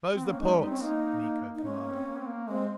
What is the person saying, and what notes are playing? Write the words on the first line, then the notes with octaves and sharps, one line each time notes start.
"Close the ports!" Miko commanded.
C4
A#3 C#4
G#3 D#4
G3 C#4
D#4
C4 C#4
A#3 D#4
D#4
G#3 C#4
A#3
C4
A#3
C4
A#3
G#3 C4